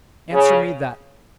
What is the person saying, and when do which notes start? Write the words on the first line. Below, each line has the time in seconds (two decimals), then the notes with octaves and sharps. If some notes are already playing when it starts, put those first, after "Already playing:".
Answer me that.
0.32 C#3